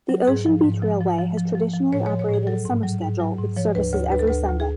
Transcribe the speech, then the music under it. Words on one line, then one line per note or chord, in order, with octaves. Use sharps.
The Ocean Beach Railway has traditionally operated a summer schedule with services every Sunday.
F#3
G#2 G#4
F3
G#2
F3
F3
F3
F3
F3
F3
A2 C#5
C#5
F3
C#5
A2 G#4
F#3 A4
G#2
F#3
G#2
F#3
G#2
F3 C#5
D2 B4
D2 C#5
D2 B4
A4
D2 B4
D2
G#4